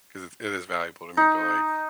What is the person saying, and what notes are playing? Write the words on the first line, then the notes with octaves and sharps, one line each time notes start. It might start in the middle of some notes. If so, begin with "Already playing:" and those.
'cause it's it is valuable to me, but, like,
D#4